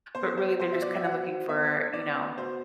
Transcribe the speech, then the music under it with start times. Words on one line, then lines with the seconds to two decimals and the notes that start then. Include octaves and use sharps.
but, really, they're just kinda looking for, you know,
0.15 B3 C5
0.38 C5
0.59 F#4 C5
0.72 E5
0.82 D5
0.96 E5
1.04 C5 F#5
1.49 B3 E5
1.93 B3 D5
2.38 F#4 C5